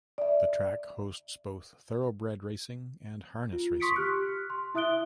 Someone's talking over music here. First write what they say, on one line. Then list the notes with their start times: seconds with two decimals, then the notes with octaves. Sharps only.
The track hosts both thoroughbred racing and harness racing.
0.18 D5 E5
3.53 F4
3.80 C6 C#6 D#6 B6 C#7 D7
3.96 G4 F6 F#6
4.50 C6
4.75 E4 E5 D#6 F#6 D7 G7